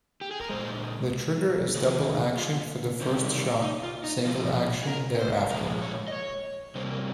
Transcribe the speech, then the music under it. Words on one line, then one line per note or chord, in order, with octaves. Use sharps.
The trigger is double-action for the first shot, single-action thereafter.
G4
G#4
A#4
A#2 G#3 C5
F2 D#3 A#3 G#4
F4
C3 D#3 G3 A#3 C4
D#4
F4
D#4
A#2 F3 G#3 F4
G#4
A#4
C5
A#2 F3 G#3 A#4
C#5
D#5
C#5
C3 G3 A#3 C5
A#4